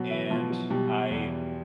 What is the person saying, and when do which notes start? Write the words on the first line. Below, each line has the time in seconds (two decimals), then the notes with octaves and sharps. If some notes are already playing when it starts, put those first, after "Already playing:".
and I
Already playing: B2 F#3 F#4
0.10 E3 E4
0.30 B2 F3 F4
0.50 F#3 F#4
0.70 B2 G3 G4
1.10 E2